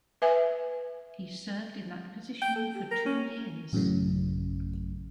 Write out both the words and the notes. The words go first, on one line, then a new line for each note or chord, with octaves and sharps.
He served in that position for two years.
B4 E5 G#5
G5
A4
G4
A#4
C#4
A1 F#2 A2 C#3